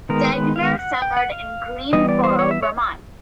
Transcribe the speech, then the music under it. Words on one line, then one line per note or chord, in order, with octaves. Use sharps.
Stegner summered in Greensboro, Vermont.
D#3 G#3 B3 A#4
B4
F5
F#5
G5
F#5
F5
E3 G3 B3 D#5
D5
C5
C#5
E5
C#5